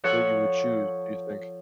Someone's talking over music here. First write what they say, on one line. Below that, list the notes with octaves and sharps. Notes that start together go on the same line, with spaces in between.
that you would choose, do you think?
F3 A4 C#5 F#5 F#6